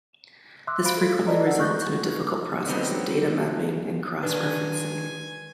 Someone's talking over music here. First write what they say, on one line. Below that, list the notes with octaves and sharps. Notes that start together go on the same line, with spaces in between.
This frequently results in a difficult process of data mapping and cross-referencing.
E5 C6 D6 E6 F#6
C5 F5 B5 D7
A4
A4 D5 D#5 A5 A#5
F#5 E6
C#6 F#6 G6 A6 A#6
D3 F#3 B3 C4 D#4 G4
D#3 D4 B4 G#5